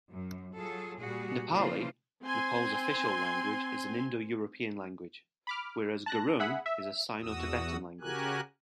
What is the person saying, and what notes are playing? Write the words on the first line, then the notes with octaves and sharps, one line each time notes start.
Nepali, Nepal's official language, is an Indo-European language, whereas Gurung is a Sino-Tibetan language.
F#2
F#3 F4 G#4 A4
A#2 G3 F#4 G#4
C#3 E3 F3 A#3 F4 C5
C4 G#5 C6
B5 D6 F6
A5 F#6 A#6
G#4 E5 F#5 B5
E5
E2 F#4 D#6 E6
C#3 F#4 G4 A#4 G#5 F#6